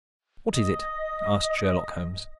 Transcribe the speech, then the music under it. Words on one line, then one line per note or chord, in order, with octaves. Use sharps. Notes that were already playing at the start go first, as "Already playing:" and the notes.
"What is it?" asked Sherlock Holmes.
D#5 D#6